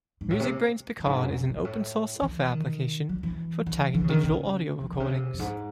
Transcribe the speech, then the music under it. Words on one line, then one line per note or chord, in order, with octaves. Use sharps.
MusicBrainz Picard is an open-source software application for tagging digital audio recordings.
G#2
A2
C3
F#2
G#2
F#2
F#2
G#2
A2
E3
D#3
F#3
E3
E3
E3
C#3
D#3
C#3
E3
C3
C#3
C3
F#2
G#2